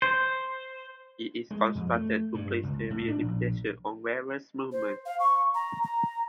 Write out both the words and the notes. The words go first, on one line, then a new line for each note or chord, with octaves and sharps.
It is constructed to place severe limitations on the wearer's movements.
C5
G#3
F2
A3
G2
C#2
A2
D4
A#1
C5
F5
C#6
A#5
A#5